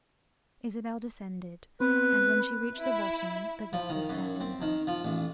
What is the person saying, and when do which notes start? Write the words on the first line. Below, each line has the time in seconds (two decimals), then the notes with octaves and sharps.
Isabel descended, and when she reached the bottom the girl was standing above.
1.80 B3 C4 B4
2.77 E4
3.73 F3
3.89 D#3
4.09 F#2
4.41 C4
4.62 D#3
4.87 F3
5.05 A1